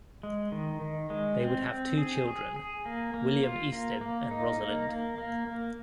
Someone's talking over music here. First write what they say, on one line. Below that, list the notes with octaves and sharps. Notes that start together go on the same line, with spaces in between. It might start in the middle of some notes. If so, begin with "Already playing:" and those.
They would have two children: William Eastin and Rosalind.
G#3
D#3
D#3
G#3
C4
C4
G#4
G#4
G#4
A#3
A#3
F4
A#3
A#3
D#4
A#3
A#3
A#3
A#3